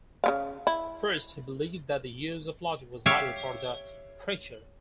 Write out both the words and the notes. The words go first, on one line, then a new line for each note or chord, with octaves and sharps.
First, he believed that the use of logic was vital for the preacher.
C#3 B3 F5
E4
G4 C#5 E5 F5